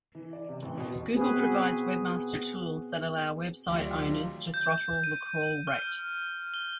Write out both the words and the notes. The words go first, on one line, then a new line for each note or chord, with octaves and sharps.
Google provides "Webmaster Tools" that allow website owners to throttle the crawl rate.
E3
D5
C3
A1
B2
B3 C4 F#4 G#4 B4
D2 D#3 F#3 F4 G4 D5 D#5
G6
D#7
F6
G7